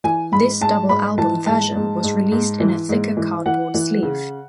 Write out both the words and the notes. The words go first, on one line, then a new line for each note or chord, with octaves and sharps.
This double album version was released in a thicker cardboard sleeve.
E3 G#5
G#2 B5
G#2 A5
G#2 B5
E3 A5
G#2 A5
G#2
G#2
G#2
E3
G#2
E3
E3 F#5
E3
C#3